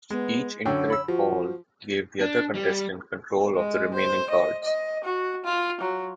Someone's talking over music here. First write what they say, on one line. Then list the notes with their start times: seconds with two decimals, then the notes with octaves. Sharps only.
Each incorrect call gave the other contestant control of the remaining cards.
0.10 G#3 B3
0.66 F#2 D3 C#5 G5
0.90 B5 E6
1.08 F3 F#4
2.21 D4
2.55 G3
3.55 G#3
3.94 C5
4.30 D#5
4.64 D#5
5.04 F#4
5.44 F4
5.81 F#3